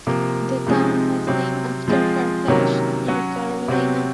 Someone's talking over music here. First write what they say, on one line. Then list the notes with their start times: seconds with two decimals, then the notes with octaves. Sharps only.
The town was named after Carthage, North Carolina.
0.07 C3 F3 A#3
0.67 C3 F3 G#3 C4 D#4
1.27 C3 F#3 C4
1.88 F3 G#3 C4 F4
2.48 C3 D#3 F#3 A#3 C#4
3.08 F#3 C#4 F#4
3.68 C3 F#3 C4 F#4